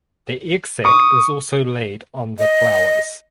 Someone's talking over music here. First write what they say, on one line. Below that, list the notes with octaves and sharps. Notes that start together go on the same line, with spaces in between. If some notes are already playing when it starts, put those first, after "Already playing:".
The egg sac is also laid on the flowers.
C#6 D#6
D#5